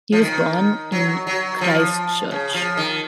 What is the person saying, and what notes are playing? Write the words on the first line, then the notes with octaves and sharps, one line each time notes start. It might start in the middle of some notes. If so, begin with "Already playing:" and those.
He was born in Christchurch.
F3
D#3
F#3
F#3
F3
C#3
F3
D#3